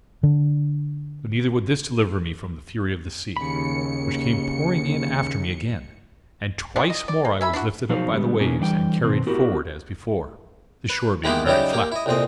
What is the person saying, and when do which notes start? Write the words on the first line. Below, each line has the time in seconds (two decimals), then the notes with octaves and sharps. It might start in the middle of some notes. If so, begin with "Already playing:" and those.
But neither would this deliver me from the fury of the sea, which came pouring in after me again; and twice more I was lifted up by the waves and carried forward as before, the shore being very flat.
0.23 D3 D4
3.37 D#2 C#3 B5 C#7
6.76 G3 G#3 C4 D4
6.90 D#5
7.08 D5
7.25 A#3
7.41 C#4 E5 B5
7.53 D4 E4 F#4
7.89 B2 F3 F#3 D#4 G#4 F5
8.12 D3 G3 G#3 B3
8.40 B2 A#3 C#4 D#4
8.59 D3 E3 G3 F5 G5
9.03 B2 D#3 C4
9.27 A3 B3 E4 F#4 G4 A#4
10.90 B4
11.24 D#3 G#3 A#3 B3 E4 G4
11.46 C#3 F#3 G3 D#4 E4 G4
11.73 A#3 G4
11.92 E4 D#5
12.06 C2 F2 A#2 C4 D#5